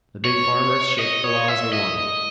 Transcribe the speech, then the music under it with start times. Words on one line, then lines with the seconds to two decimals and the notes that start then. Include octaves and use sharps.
The big farmers shaped the laws they wanted.
0.25 C#5
0.99 D#5
1.24 C#5
1.48 E5
1.73 D#5